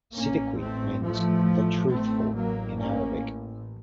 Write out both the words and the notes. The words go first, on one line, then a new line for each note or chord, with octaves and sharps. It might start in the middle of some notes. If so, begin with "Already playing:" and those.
Siddiqui means "The Truthful" in Arabic.
A1 A2 A#3 C#4
A3 C4
F3 A3
A1 A2 A3 C4
F#3 A#3
A#3 C#4